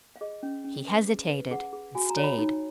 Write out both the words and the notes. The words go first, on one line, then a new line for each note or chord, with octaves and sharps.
He hesitated and stayed.
F5
G#4 D#5
C#4
C#4
B4
G#4
B4
G#4 F#5
G#4
F#4 G#5
A#5
C#5
B5
D#4